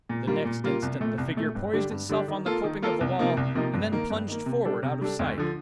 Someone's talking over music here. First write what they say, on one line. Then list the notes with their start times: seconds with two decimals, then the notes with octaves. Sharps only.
The next instant, the figure poised itself on the coping of the wall and then plunged forward out of sight.
0.09 A#2
0.27 G3 A#3 F4
0.45 A#2
0.64 G3 A#3 F4
0.82 C2
1.00 A#2 A3
1.18 C2
1.37 A#2 A3
1.55 G2
1.73 D3 G3 D4 G4
1.91 G2
2.09 D3 G3 D4 G4
2.28 D#3
2.46 A#3 F4 A4
2.64 D#3
2.82 A#3 F4 A4
3.01 C2
3.19 C3 F3 A#3 D#4
3.37 C2
3.55 C3 F3 A#3 D#4
3.74 G2
3.92 D#3 A#3
4.10 G2
4.28 D#3 A#3
4.46 C3
4.65 G3 D4 A4
4.83 C3
5.01 G3 D4 A4
5.19 D2
5.38 D3 F3